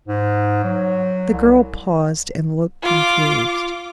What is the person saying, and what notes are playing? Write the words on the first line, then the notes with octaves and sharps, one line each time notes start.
The girl paused, and looked confused.
G#2
F#3
C2
F4 D6